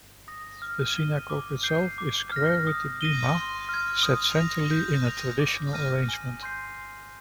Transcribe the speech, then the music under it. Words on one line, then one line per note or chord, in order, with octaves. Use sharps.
The Synagogue itself is square with the Bimah set centrally in a traditional arrangement.
D#6 A#6
F6
G#6 D#7 G7
D6
G6 C7
D6
F6 A#6
D#6
A#6 D#7 G7
C6
F6 G#6
D#6
A#6 F7
G6
A#6 F7
D6
F6 A#6 D#7
G#5
C6 G6 C7